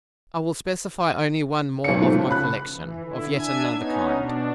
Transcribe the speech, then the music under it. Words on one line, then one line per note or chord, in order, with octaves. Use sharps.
I will specify only one more of my collection, of yet another kind.
B1 D#4 C#7
G#2 F3 A3
C#3
B5 F#6
E3
D3 E4
D4 E5 G#5 G#6
B3 C#4 D#4
B2 D4